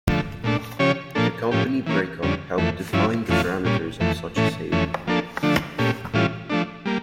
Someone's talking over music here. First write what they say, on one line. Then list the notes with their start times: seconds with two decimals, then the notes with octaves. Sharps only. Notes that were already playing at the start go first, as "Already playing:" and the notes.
The company breakup helped define the parameters of such a sale.
0.08 D3 F3 A3
0.44 A#2 A3 D4
0.79 C#3 F3 C#4 G4 C#5
1.15 A#2 F3 A#3 D4 A4
1.51 A2 F3 C#4 G4
1.87 E3 A#3 C#4
2.23 F2 D3 G3 C#4
2.58 F2 E3 A3
2.93 G2 F3 C#4 E4
3.29 F2 E3 A3 C#4 F4
3.64 A#2 G3 C#4
4.00 F2 E3 A3
4.36 A2 E3 A3 C#4
4.72 F2 E3 A3 C#4
5.07 F3 A#3 D4 A4
5.43 D3 F3 A3 D4
5.78 A#2 A3 C#4 G4
6.14 A2 E3 G3 C#4 F4
6.50 F3 A3 D4
6.86 G3 A#3